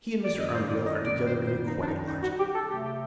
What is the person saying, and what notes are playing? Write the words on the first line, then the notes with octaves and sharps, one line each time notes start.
He and Mr. Armadale are together in a quiet lodging.
F#2 D#3 G3 D5
D#5
C5
D5
D#5
D5
C5
C5
D#4
D4
D#4
D#4
F#4
G4
A4
C3 F#3 A3 G4
G4